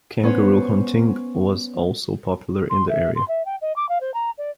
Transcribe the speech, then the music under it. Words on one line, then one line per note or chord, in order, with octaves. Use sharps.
Kangaroo hunting was also popular in the area.
B3 C#4 C5 C#5
C6
E5
C6
E5
G5
D#5
D6
F5
C5
A#5
D5